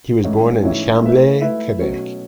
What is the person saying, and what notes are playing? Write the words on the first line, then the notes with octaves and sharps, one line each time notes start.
He was born in Chambly, Quebec.
G#2 E3 A3 C#4 E4
G#2 E3 A3 C#4 E4
A3 E4 B4 E5
A3 E4 B4 E5
B2 F#3 A3 C#4